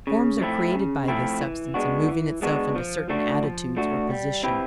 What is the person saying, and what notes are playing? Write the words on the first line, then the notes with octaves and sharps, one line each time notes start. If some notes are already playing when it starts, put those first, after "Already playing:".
Forms are created by this substance in moving itself into certain attitudes or positions.
C#3
F3 A3 C4 E4
C#3
F3 A3 C4 E4
E3
G#3 B3 D4 F#4
E3
G#3 B3 D4 F#4
F3
A3 D4 F#4
F3
A3 D4 F#4
G3
C4 E4 G4 B4